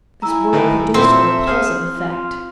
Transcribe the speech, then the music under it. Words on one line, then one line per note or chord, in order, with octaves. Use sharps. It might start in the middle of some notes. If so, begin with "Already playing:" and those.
This word produced a repulsive effect.
E4 G#5 A#5 E6
A2 D#3 B4
A#2 C4 E4 A4 E5
G#4 C5 F6
F4